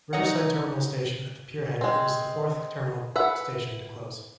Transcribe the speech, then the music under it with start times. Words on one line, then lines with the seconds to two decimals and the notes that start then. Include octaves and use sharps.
Riverside terminal station at the Pier Head was the fourth terminal station to close.
0.13 D#4 C#5 F#5
1.81 G#3 C4
3.16 B4 E5 F#5